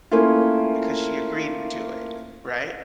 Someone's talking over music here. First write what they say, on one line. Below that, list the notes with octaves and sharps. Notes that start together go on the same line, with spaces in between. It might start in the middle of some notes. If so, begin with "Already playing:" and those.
because she agreed to it, right?
A3 A#3 C#4 E4 F4